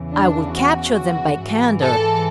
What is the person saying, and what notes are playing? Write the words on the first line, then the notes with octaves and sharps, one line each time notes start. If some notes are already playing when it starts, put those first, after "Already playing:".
I will capture them by candour.
Already playing: E2 C#3 E3
D4
F#4
G#2 E3
A4